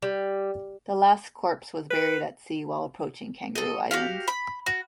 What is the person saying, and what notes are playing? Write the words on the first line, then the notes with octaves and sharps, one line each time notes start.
The last corpse was buried at sea while approaching Kangaroo Island.
G3
B4
A4 D#5
F#4 G4 F5
B5
F#4